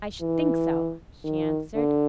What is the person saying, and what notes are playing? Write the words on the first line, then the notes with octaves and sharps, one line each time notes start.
"I should think so," she answered.
E3
D#3
D3